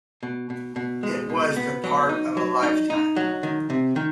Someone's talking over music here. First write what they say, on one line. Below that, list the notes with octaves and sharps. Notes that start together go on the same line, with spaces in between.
It was the part of a lifetime.
B2
B2
B2
G#3
B2
B3
F#3
D#4
F#3
D#4
D#4
F#3
D#3
C3
D#3